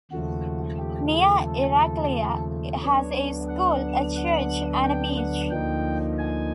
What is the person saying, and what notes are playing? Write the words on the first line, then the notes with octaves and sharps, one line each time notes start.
Nea Irakleia has a school, a church and a beach.
D#2 C#3 F3 A3 F#4
G4
G#4
A4
D2 D3 F#3 B3 D4 C#5
F#5
F#5
G5
F#5
D2 D3 F3 A#3 D#4 G5
G#5